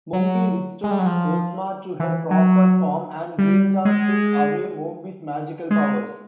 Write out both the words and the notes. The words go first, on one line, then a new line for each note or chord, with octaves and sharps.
Mombi restored Ozma to her proper form, and Glinda took away Mombi's magical powers.
F#3
G#3
G3
F#3
F3
E3
F#3
G3
G#3
G#3